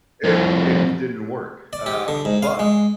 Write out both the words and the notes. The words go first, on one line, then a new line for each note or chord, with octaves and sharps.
It it just didn't work. Um, but
C2 F2
D5
G4
D3
G#2
F5
G#3